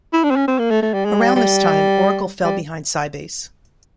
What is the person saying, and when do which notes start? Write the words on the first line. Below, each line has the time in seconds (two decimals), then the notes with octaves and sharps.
Around this time, Oracle fell behind Sybase.
0.13 E4
0.24 D4
0.31 C4
0.36 C#4
0.48 C4
0.59 A#3
0.70 A3
0.82 A3
0.93 G3
1.05 G#3
1.21 G3
1.36 G3
2.44 G3